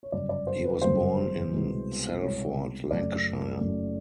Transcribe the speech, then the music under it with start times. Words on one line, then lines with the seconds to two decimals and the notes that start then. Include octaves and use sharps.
He was born in Salford, Lancashire.
0.03 C#5
0.12 G1 F#2 C#3 D5
0.29 D5
0.47 C5
0.65 B4
0.82 G1 F#2 C#3 C5
1.51 C2 B2 G#3 B3
2.21 C2 B2 G#3 B3 C#5
2.91 F#1 F#2 C#3 F#3 A3 D5
3.60 F#1 F#2 C#3 F#3 A3